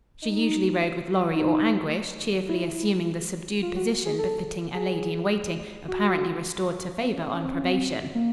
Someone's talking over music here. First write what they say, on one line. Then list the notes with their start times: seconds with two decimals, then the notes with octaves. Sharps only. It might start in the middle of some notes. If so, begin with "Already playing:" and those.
She usually rode with Lorry or Anguish, cheerfully assuming the subdued position befitting a lady-in-waiting apparently restored to favor on probation.
0.22 D#4
1.35 D#4
2.49 E4
3.62 F4
3.76 F#4
4.05 G#4
4.19 A4
4.75 G#4
5.88 F#4
7.01 C4
7.12 C#4
7.22 C4
7.33 C#4
7.43 C4
7.54 C#4
7.63 C4
8.15 A#3